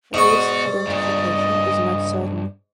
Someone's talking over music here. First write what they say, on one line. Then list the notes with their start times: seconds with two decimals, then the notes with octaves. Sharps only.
This identification is not certain.
0.14 G#2 B2 F#4 D5 C#6
0.87 G2 A#2 D#5